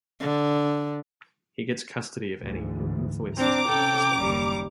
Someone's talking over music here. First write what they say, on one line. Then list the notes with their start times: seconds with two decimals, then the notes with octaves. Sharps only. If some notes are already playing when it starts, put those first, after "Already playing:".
He gets custody of Annie and influences her to disdain Effi.
0.20 D3
2.40 D2 G#2 E3
3.37 C4 D4 A#5 D6
3.68 C3 C#4 A4 G5
4.17 F#1 D#2 G3